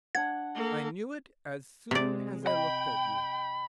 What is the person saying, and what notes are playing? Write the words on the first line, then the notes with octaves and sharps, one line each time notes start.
"I knew it as soon as I looked at you."
D4 F#5 G#6
A#3 A4
C3 G#3 D5
D#5 G5 B5